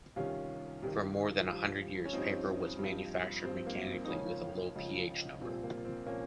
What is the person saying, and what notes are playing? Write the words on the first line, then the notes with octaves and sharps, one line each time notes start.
For more than a hundred years paper was manufactured mechanically with a low pH-number.
C2 C3 D#3 C#4 F4
C2 C3 D#3
G2 F3
C#4
G2 F3 C4 D#4
G2 F3
G2 F3 C4
A#3
C4
D#4
C#2 C#3 F3 A#3 C#4
C#2 C#3 F3
C2 A#2 F3 C4
A#3
C4
A#2 F3 A#3 C#4